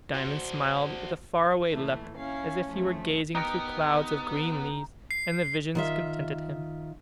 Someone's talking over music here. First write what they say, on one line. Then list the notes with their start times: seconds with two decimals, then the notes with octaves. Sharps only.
Diamond smiled with a far-away look, as if he were gazing through clouds of green leaves and the vision contented him.
0.14 F#4 C5
1.71 A#2 E3 A3
2.17 C#4 E4 F5
2.67 F2 F3 A3
3.35 B3 D#4 G4 A#4
5.11 C7
5.75 D#3 F4 E5